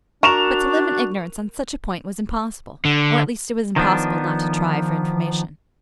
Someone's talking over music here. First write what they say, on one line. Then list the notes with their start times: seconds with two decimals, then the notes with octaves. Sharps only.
But to live in ignorance on such a point was impossible; or at least it was impossible not to try for information.
0.23 D4 F#4 A#4 C#6 E7 F7
2.85 D3
3.76 D#3 F3 B3 D4